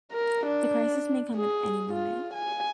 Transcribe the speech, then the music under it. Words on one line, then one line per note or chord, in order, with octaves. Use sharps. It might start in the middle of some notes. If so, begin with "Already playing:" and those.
The crisis may come at any moment.
A#4
D4
G#4
F4
G#5